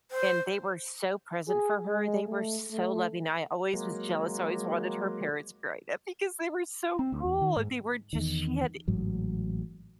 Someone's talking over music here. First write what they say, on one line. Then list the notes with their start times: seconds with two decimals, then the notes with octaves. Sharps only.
and they were so present for her, they were so loving, I always was jealous, I always wanted her parents growing up because they were so cool, they were just she had
0.11 C5
1.48 G#4
1.86 G#3
2.27 A3
2.71 A3
3.74 F#3 G#3 A#3
6.99 C4
7.12 D2
7.25 E2
7.41 D#3
7.56 G#2
8.13 E2 D#3
8.88 A1 G#2 F#3